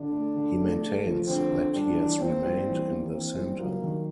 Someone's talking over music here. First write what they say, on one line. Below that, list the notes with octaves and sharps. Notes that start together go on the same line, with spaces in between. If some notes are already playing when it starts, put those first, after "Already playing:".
He maintains that he has remained in the centre.
Already playing: D3 D4
A3
D3
A3
A3
F3
D3 C4
D3
G3 D4
E3
A#3 C4
G3
E3
A#3
E3 C4
G3
F#3 A#3
D#3